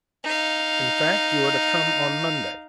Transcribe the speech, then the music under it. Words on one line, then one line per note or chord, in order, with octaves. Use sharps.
In fact, you are to come on Monday.
D#4 F5